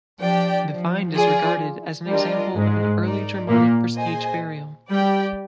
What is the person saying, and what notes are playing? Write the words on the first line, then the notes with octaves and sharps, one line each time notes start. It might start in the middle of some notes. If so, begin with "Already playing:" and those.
The find is regarded as an example of an early Germanic prestige burial.
F3 D4 G4 D5 G5
F3
F4 G#4 D5
G3 D4 F4 A#4 D#5
G#2 G#3
D#4 A#4 D5
A#2 A#3
G#4 C5 D#5 G#5
G3 G4 D5 G5